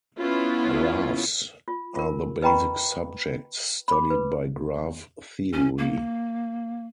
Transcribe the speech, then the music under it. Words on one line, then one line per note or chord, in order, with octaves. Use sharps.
Graphs are the basic subject studied by graph theory.
B3 C#4 E4 F4
F4
F4 A#4
B4 D#5 G5 A#5 B5 C#6
B5 D6
B4
C#4
A#3